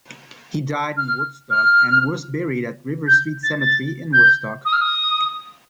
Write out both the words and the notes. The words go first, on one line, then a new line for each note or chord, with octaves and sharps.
He died in Woodstock and was buried at River Street Cemetery in Woodstock.
F6
F6
G6
A6
A6
G6
D#6
F6
D#6